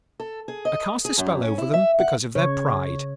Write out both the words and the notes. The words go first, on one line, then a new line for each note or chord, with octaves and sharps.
I cast a spell over them because of their pride.'
A4
G#4
D#5
G#4
F#2
C#4
E4
E5
F#5
C#3 C#5